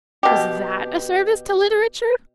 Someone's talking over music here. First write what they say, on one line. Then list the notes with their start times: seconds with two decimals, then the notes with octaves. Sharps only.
Was that a service to literature?
0.23 B2 G4